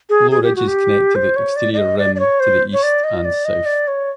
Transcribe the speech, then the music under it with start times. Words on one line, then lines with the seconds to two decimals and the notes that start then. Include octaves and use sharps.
Low ridges connect to the exterior rim to the east and south.
0.09 G#4
0.31 G#4
0.43 G4
0.56 F#4
0.68 G4
1.15 C5
1.36 C#5
1.56 D5
1.74 D5
1.78 D#5
1.99 D5
2.15 D5
2.19 C#5
2.40 C5
2.73 C#5
2.83 D5
3.04 D#5
3.25 D5
3.45 D#5
3.66 D5
3.88 C#5